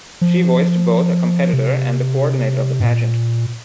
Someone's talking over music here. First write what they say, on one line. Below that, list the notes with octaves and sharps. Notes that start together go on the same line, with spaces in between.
She voiced both a competitor and the coordinator of the pageant.
F3
C3
G2
A#2